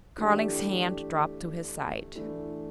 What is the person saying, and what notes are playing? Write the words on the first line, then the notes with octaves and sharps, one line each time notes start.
Carling's hand dropped to his side.
E3 A3 D4 G4
E3 A3 D4